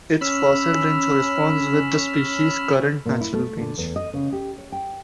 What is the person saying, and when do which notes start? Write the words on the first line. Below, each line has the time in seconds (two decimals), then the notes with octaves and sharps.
Its fossil range corresponds with the species' current natural range.
0.21 C#4 B5 E6 F6
3.06 A#2
3.21 E4
3.33 A3
3.61 D3
3.78 E2
3.96 D#5
4.14 C#3
4.32 G4
4.58 C#5
4.72 G5